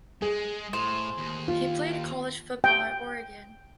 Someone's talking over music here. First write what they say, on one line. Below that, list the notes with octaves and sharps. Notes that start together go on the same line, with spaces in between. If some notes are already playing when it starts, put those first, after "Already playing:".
He played college football at Oregon.
G#3 G#4
A2 C5
D#2
F4
G5